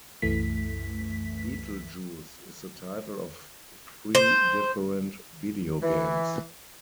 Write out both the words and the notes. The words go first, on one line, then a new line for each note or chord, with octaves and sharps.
Beetlejuice is the title of three different video games.
C2 F#2 E3 A3 B6
C5
E3